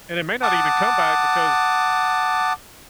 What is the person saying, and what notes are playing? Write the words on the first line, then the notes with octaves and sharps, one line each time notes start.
And it may not even come back because
F#5 A5 D6 D#6